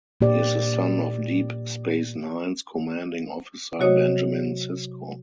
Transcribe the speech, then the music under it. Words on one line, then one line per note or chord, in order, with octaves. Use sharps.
He is the son of Deep Space Nine's commanding officer, Benjamin Sisko.
A#2 A#3 G4 D5
C3 F#3 F#4 C#5 D#5 D#6